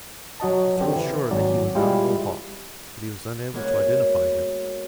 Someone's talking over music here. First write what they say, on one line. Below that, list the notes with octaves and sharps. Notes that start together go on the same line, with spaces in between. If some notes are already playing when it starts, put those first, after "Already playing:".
He felt sure that he was not a Mohawk, but he was unable to identify him.
F#3 F#4 D#5 A5
D3 C4 G4
E3
G#1 F#3 D5
G3 G#3 E4 F4 G4
G#3 A#3 B3 F#4 C#5